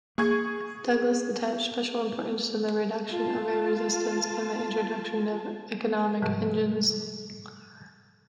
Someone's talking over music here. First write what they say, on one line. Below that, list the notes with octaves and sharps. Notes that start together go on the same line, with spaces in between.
Douglas attached special importance to the reduction of air resistance and the introduction of economic engines.
A#3 G#4 C#6 G#6
F4 A5
G#2 C3 F3 G3